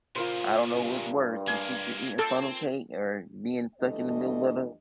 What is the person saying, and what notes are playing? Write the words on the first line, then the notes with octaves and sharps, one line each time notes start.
I don't know what's worse, the teacher eating funnel cake or being stuck in the middle of the
A#2 C#3 F4 A#4 C5
G2
G#3 A#3 G#5
C4 A4
F2 E3 G3 A3 D4 D#5